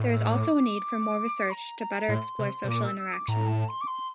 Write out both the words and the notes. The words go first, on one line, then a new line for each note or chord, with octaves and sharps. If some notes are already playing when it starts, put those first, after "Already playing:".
There is also a need for more research to better explore social interactions.
Already playing: A2
E6
D6
A#5
A#5
A2 C6
C3
C3
A#2 D6
E6
E6
D6
A2 A#5
A5
C6
D6
C6